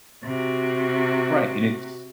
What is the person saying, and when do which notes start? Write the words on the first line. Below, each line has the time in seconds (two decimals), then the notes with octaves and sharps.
Right, and it's
0.24 C3 F#4